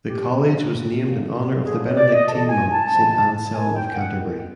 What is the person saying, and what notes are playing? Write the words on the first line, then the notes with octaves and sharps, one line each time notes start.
The college was named in honor of the Benedictine monk Saint Anselm of Canterbury.
G4
F#4
C#3 F3 A#3
F#2 D3 F3 A#3
F#2 D3 F3 A#3 G#4
C#5
D5
D#5
F2 C3 E3 A5
G#5
A5
F2 C3 E3
D#3 G#3 B3 E4 G#5
G5
F#5
D#3 G#3 B3 E4
G5